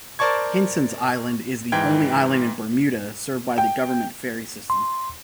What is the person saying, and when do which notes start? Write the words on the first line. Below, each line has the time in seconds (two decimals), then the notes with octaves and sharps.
Hinson's Island is the only island in Bermuda served by the government ferry system.
0.19 A#4 C5 D5 A5 C#6 G#6
1.72 G#2 E3 G5 G#6
3.58 G5
4.70 C6